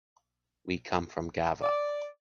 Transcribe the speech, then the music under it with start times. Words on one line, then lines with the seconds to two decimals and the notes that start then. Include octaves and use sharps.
We come from Gavà.
1.62 D5